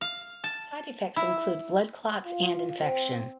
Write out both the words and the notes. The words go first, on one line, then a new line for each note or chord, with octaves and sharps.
Side effects include blood clots and infection.
F5
A5
E4
F4
C4